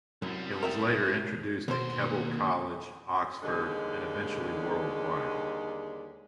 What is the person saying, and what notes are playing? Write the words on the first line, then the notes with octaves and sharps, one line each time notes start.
It was later introduced at Keble College, Oxford and eventually worldwide.
C2 F#2 G3
A#4 E5 G5
D#2 B2 C5 C6
D#2 D3 G3 G#3